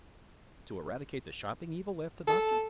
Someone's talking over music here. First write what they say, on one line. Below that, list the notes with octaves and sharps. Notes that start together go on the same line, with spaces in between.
"To eradicate the shopping evil?" laughed the Doctor.
A4